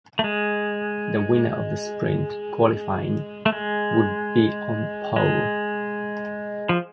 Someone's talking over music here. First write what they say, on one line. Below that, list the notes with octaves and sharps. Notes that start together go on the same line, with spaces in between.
The winner of the sprint qualifying would be on pole.
A3
G#3
A3
G#3
G#3
F3